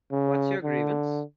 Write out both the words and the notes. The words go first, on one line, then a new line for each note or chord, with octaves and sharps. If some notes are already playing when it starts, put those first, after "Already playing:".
What’s your grievance?
C#3
D3